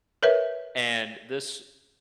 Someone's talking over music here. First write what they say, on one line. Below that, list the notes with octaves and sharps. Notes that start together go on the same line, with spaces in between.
and this
A#4 B4 C#5 E5